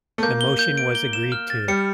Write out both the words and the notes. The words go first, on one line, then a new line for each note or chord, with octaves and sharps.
The motion was agreed to.
A3
A#3 G6
G7
G6
D7
G7
E7
F6
A6
G3 C#7